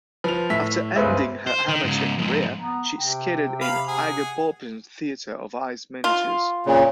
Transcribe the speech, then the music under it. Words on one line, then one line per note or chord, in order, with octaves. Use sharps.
After ending her amateur career, she skated in Igor Bobrin's Theater of Ice Miniatures.
F3 B4 F7
A2 E5 B6
G1 C#2 B4 C5 E5
C5
D#3
G#2 C#3
F2 G#2
B3 A#5
C3 G5
F5 B5
G#4 F#5
F4
A#2 C#3